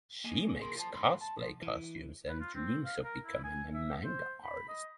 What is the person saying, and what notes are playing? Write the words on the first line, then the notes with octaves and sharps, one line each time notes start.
She makes cosplay costumes and dreams of becoming a manga artist.
A#3 D#5 G#5
C3 G#4 A#4 C6
F4 C5 A5
C#2 G#2 D3 B5 C6
A5
B2 F3
E3
B4
F4
C4
F5
A#4
E4
G#5
E5
C5
B5
D#5